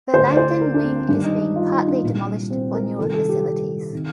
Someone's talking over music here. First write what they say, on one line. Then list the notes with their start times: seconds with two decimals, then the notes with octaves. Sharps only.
The Langdon Wing is being partly demolished for newer facilities.
0.13 D2 D3 C5
0.32 D5
0.37 C5
0.61 A#4
0.74 D4
0.84 C4
1.09 G2 D#3 D4
1.24 D#4
1.56 F4
1.72 D#4
1.88 D4
2.03 C2 A#2
2.51 C4
2.74 A#4
2.98 C2 C3 D#3 A4
3.14 A4
3.29 G4
3.93 C3 D#3